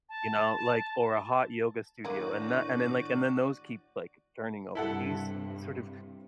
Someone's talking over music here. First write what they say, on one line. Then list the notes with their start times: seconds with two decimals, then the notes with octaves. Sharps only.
you know, like or a hot yoga studio. And that and then, like and then those keep, like, turning over. These sort of
0.09 A5
2.05 A2 D#3 A#3 D4 F#4 G#4 D5
4.75 G2 C3 E4 A4 F#5